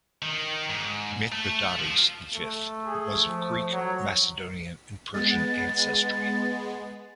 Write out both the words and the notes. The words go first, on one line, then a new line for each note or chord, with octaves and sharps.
Mithridates the Fifth was of Greek Macedonian and Persian ancestry.
D#3
G#2
A3
F3
A3
G#4
F3
F#3
G#3 B3 A6